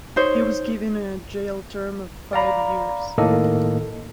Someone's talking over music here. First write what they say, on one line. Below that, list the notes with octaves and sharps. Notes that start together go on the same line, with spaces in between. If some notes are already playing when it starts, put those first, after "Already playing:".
He was given a jail term of five years.
D#4 C5 C#5
D5 F5 A#5 B5
A2 D#3 A#3 A4 D#5